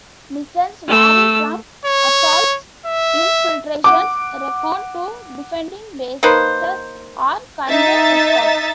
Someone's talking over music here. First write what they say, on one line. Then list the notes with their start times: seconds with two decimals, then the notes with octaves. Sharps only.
Missions vary from assaults, infiltrations, recon to defending bases or convoy escorts.
0.88 A3 E6
1.85 C#5
2.86 E5
3.84 F#5 D6
6.23 A#3 D#4 B4 C5
7.69 D#4 E5 A6